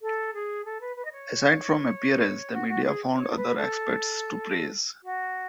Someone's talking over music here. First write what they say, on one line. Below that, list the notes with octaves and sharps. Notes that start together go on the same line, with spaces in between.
Aside from appearance, the media found other aspects to praise.
A4
G#4
A4
B4
B4
D#5
C#5
F#4
F#4
G#4
C#5
A4
B4
A4
F#4